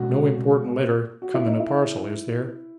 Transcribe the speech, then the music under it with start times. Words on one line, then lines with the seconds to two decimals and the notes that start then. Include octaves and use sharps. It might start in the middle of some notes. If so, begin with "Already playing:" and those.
No important letter come in a parcel, is there?'
Already playing: B2 G#3 C#4 F#4
1.22 F#4
1.34 E4
1.47 D#4
1.60 E4